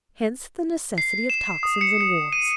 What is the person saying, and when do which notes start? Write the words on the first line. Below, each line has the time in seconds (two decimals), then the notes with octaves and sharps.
Hence the necessity of tocsins and wars.
0.98 C7
1.30 E7
1.63 D#6
1.81 C#7
2.01 C#7
2.33 D#7